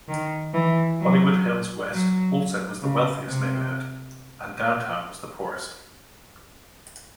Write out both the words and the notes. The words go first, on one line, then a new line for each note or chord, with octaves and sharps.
Hollywood Hills West also was the wealthiest neighborhood, and Downtown was the poorest.
D#3
E3
F#3
F#3
C#3
C3